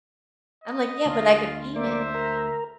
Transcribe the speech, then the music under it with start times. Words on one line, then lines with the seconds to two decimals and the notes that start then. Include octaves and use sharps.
I'm like, "Yeah, but I could paint it.
0.64 D#5
1.06 D2 F4
1.76 A#3 C5 D5 E5
2.15 A#4